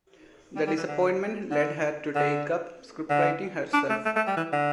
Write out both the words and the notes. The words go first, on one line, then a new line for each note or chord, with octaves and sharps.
The disappointment led her to take up scriptwriting herself.
G3
G3
E3
D3
D3
D3
D3
D4
A3
A3
A3
G3
E3
D3